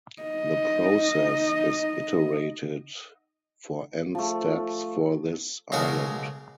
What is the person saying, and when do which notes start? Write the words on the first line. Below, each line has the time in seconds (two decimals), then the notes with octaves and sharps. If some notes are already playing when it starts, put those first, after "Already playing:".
The process is iterated for n steps for this island.
0.22 D#4 D#5
4.15 F3 A3
5.72 B1 C#3 G#3 F#4 A#4